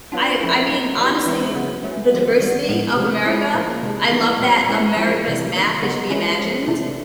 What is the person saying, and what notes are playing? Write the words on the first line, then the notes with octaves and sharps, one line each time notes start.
I I mean, honestly, the diversity of America, I love that America's map is reimagined,
F#3 B3 D4 F4
F3 A3 C#4 E4
F#3 A#3 D#4
E3 G3 B3 D#4
E3 G#3 C4 E4
C#3 F#3 B3
F#3 A3 C#4
D3 F3 G#3 B3
D#3 G3 B3
A2 F3 G#3 B3
C3 F3 G#3
F3 G#3 C#4 E4
A#2 F3 A#3
C3 D#3 G#3
E3 G3 B3 D#4
A#2 G3 C4 F4
E3 G#3 C#4 E4
F3 G#3 C4 E4
C3 E3 G3 A#3
D#3 F#3 A#3 D#4
C#3 F#3 B3 D#4
E3 G#3 C#4 E4
F3 G#3 C#4
C3 E3 A3 D4